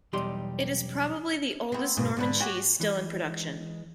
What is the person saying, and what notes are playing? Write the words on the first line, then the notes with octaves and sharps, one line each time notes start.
It is probably the oldest Norman cheese still in production.
B1 E2 G3 D#4 G4 C6
B3 C4
D#2 G#2 B2
G#2 D3 B4
F#4 G4 C#5
E3 G#3